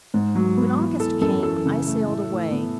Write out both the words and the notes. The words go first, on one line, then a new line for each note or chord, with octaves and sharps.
When August came I sailed away.
G#2
F#3
B3
E3
E3 A4
F#2 A4
E3 A4
C#3
A3
A2
A2
B3